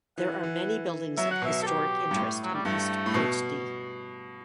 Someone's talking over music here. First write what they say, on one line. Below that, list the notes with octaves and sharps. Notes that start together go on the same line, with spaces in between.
There are many buildings of historic interest in East Poultney.
E3 F#5
E3
F#3 E5
F#5
B2 E5
A4
G4
G2
A2
F#3
G3
G2 A3
A2
B2